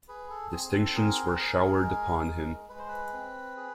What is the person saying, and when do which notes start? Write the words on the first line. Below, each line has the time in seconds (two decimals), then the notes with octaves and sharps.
Distinctions were showered upon him.
0.08 G#4 B4
0.30 A4
0.52 C4 G#4
0.64 G#4
0.74 A4
0.96 G#4 A#4
1.39 G#4
1.83 G#3
2.26 G#3
2.69 G#3 B4
2.79 C5
2.88 B4
3.13 C4
3.57 G#4